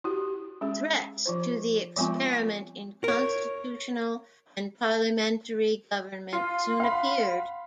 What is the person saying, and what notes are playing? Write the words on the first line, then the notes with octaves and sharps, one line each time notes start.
Threats to the experiment in constitutional and parliamentary government soon appeared.
E4 F#4 G4
G#3 C#4 G#4
F3 F4 C5
F3 G#3 B3 C4 F4
A#4 C#5
F4 C6
F5 F#5 B5